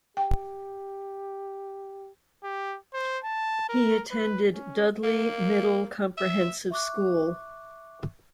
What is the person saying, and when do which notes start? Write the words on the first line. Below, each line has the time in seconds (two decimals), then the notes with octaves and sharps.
He attended Dudley Middle Comprehensive School.
0.17 G4 G5
2.44 G4
2.94 C5
3.24 A5
3.69 A#4
4.11 B4
4.53 C#4
5.03 A#3
6.18 E5
6.71 E5 C#6 D6 F#6